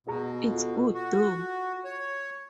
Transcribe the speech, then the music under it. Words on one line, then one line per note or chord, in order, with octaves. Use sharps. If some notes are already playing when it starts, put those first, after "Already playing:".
It's good though!
B2 F#4 G#4 A#5
F4 A4
F#4
C#5